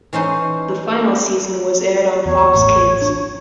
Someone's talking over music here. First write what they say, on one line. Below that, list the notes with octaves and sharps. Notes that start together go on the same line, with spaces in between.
The final season was aired on Fox Kids.
E3 C#4 D#4 C5
E2 C#5
A1
D4